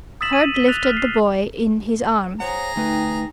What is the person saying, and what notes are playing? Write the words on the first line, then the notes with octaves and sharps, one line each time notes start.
Hurd lifted the boy in his arm.
D#6 E6 A6 B6 E7 F#7
D#7 F#7
B6 G7
F#6 A6 F7
F6 B6 G7
C7
G#4 C5 C#5 F#5 A#5
D2 A3 D#4 B4 G5